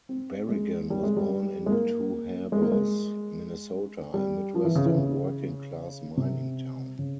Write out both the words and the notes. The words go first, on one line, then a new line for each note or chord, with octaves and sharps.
Berrigan was born in Two Harbors, Minnesota, a Midwestern, working-class, mining town.
C4
G#3
G3
G#3
G3
G#3
A#3
G#3
A#3
G#3
G3
F3
E3
C#3
E3
C#3
C3
C#3